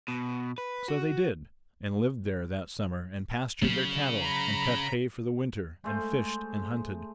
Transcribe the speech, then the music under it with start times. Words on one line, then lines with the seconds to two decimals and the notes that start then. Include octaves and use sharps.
So they did and lived there that summer and pastured their cattle and cut hay for the winter and fished and hunted.
0.08 B2
0.58 B4
0.88 F#4
3.62 C#3 F#3
4.22 A#5 B5
5.84 G#3 A3 C5